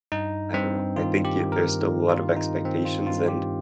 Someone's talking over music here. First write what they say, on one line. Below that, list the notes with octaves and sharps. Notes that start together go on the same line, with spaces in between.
I don't know, I think there's still a lot of expectations and
G2 D#4
G2 C4
D#3 F4
G4
D#3
A#4
D#3
F4
D#3
D#4
D#3 C4
F4
G2 F4
G4